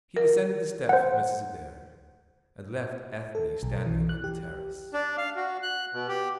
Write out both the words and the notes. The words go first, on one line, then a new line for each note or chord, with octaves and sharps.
He descended the steps with Mrs. Adair, and left Ethne standing upon the terrace.
A#4
C5 F#5
A4
B1
E3
F#6
G4
D4
F5
F#4
F#6
B2
G4